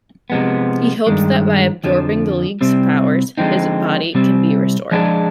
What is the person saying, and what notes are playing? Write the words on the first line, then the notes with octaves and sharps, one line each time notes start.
He hopes that by absorbing the League's powers, his body can be restored.
C3 F3 G#3 B3
G2 D#3 G#3
F2 D3 F3
C3 G3 C4
D3 F3 G#3 C4 D#4
C3 G3 C4
F3 G#3 D4 G#4